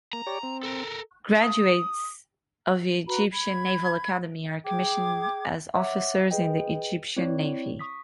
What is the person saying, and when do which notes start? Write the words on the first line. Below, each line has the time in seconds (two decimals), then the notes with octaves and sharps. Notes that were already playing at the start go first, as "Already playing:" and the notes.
Graduates of the Egyptian Naval Academy are commissioned as officers in the Egyptian Navy.
0.13 A#3 A#5
0.26 G4 C#5 D5
0.43 C4
0.63 A4 A#4
1.42 D#6
3.08 F#4 B4 A#5 B5
3.31 B5 G#6
4.65 G#4 G5 D6 G#6
5.75 C#5 E5 F#5 D6
6.31 G#4 B4 D#5 G5
7.17 C4 E4 C#5 D5
7.79 C#6 D#6 B6